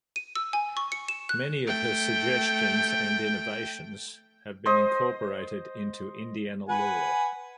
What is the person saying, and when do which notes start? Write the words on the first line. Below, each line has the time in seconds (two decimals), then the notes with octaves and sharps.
Many of her suggestions and innovations have been incorporated into Indiana law.
0.16 D#7
0.36 E6
0.53 G#5
0.77 C#6
0.92 C#7
1.08 E7
1.29 F#6
1.66 A3 G5
4.66 C5 D#5
6.69 B4 F#5 G#5